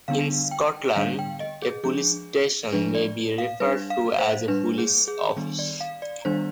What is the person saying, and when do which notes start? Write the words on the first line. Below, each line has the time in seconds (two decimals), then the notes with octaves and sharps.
In Scotland a Police Station may be referred to as a Police Office.
0.08 D3 G3 B3 D4 F5
0.51 G5
0.96 D3 G3 B3 D4 F5
1.19 G5
1.40 D#5
1.62 G#4
1.84 F3 G#3 D4 G#4
2.73 F3 G#3 D4 B4
2.95 D5
3.38 F5
3.60 G3 D4 B4
3.90 F5
4.19 C5
4.48 G3 D4 B4
4.78 G#4
5.08 G#4
5.37 D#3 G3 B3 D4
5.59 D5
5.80 F5
6.02 D5
6.25 D#3 G3 B3 D4 C5